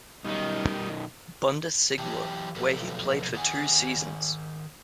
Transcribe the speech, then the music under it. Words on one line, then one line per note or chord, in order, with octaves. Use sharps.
Bundesliga, where he played for two seasons.
B1 D#3 G3 D#4
E3 F#3 G4 G5 A5
B2 F3 F#3 A3 A4 B4
D#3 G#4 A#4 F#5 G#5